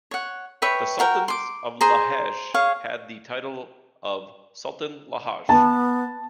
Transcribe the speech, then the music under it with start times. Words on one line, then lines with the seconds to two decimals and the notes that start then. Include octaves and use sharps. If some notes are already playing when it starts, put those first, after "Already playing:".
The Sultans of Lahej had the title of "Sultan Lahj".
0.11 C#5 F#5
0.62 B4 C#5 E5 G5
0.99 F#4 A#4 G5
1.28 C6 D6
1.81 G#4 C5 A#5
2.54 G#4 C#5 F5
5.49 B3 A5